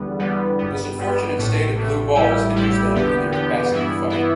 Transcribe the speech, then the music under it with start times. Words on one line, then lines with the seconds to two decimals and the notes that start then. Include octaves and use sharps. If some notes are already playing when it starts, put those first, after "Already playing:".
This unfortunate state of "blue balls" hinders them in their capacity to fight.
Already playing: E2 D3 G3 B3
0.19 E2 D3 G3 B3
0.59 G1 G2 G3 B3
0.98 G1 G2 G3 B3
1.37 A1 A2 A3
1.76 A1 A2 A3
2.15 A1 A2 G3 E4 G4
2.54 A1 A2 G3 E4 G4
2.92 E2 D3 B3 G4
3.32 E2 D3 B3 G4
3.71 G2 E3 B3 E4
4.10 E3 B3 E4